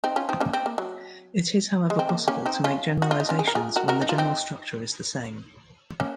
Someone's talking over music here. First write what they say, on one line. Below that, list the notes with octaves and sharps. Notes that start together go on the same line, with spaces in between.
It is however possible to make generalizations when the general structure is the same.
C4 D#4
C#4 F4
C4 D#4
A#3 C#4
C4
A#3
F#3
G#3
C4
A#3
A#3 C#4
C4 D#4
C#4 F4
F#4
F4
D#4
C#4 F4
G#4
A#4
F4 G#4
F#4 A#4
F#4 A#4
D#4
F4
C4 D#4
A#3 C#4